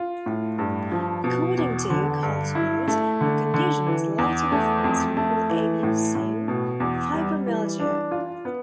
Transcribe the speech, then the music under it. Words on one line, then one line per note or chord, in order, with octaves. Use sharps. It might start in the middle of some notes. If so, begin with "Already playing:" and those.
According to "College News," her condition was later referenced in Paul Avion's song "Fibromyalgia".
Already playing: F4
A2
G2
F3
B2
E2
D3
G2
E4
A3
D3
D3
E3
E2
A3
F2
A3
E3
A2
A2
B2
E2
G3
E3
D4
F4
B3